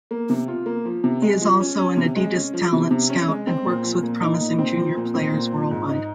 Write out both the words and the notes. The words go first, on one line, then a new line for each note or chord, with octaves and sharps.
He is also an Adidas talent scout and works with promising junior players worldwide.
A#3
C3
F4
A#3
F3
C3
G#3
F3
C#4
C#4
C3
G#3
C#4
F3
C3
C3
C#4
G#3
C4
A#2
F3
A#2
D#4
A#2
C4
F3
A#2
C4
A#2
F3
G#2
D#4